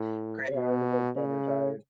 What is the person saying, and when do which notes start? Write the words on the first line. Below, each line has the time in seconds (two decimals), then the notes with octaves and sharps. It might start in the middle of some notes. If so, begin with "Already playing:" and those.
Greyhound was then retired.
Already playing: A2
0.55 B2
1.16 C#3